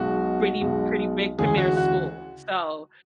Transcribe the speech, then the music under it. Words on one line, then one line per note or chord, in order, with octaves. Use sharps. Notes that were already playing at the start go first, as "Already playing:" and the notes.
Pretty pretty big premier school, so
Already playing: B1 B2 G#3 F#4
B1 B2 G#3
D2 C#3 E3 G#3 G#4
F#4
F#4